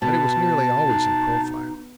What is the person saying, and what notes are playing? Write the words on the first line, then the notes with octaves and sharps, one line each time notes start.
But it was nearly always in profile.
B2 A5
D#4